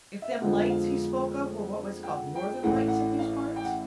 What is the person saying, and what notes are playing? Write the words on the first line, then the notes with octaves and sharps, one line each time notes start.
"If them lights he spoke of were what was called northern lights in these parts?"
E5
F5
F2 D3 F3 G#3 B3 F#5
F5
G5
F#5
G5
A1 A2 E3 A3 F#5
F5
F#5
F5
G5
F#5